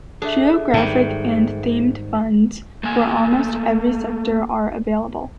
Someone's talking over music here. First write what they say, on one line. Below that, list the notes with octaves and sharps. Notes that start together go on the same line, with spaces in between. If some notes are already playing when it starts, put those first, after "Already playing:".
Geographic and themed funds for almost every sector are available.
D4 G#4 A4 E5
G#2 D#3 G3
A3 A#3 G#5